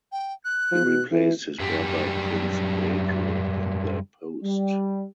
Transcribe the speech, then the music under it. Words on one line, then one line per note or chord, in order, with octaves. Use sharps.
He replaced his brother Prince Badr in the post.
G5
F#6
F3
B2
E3
F#2 G3
G3